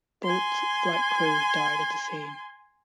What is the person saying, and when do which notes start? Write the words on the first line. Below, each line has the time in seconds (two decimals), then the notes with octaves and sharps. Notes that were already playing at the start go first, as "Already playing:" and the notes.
Both flight crew died at the scene.
0.23 G#5 C6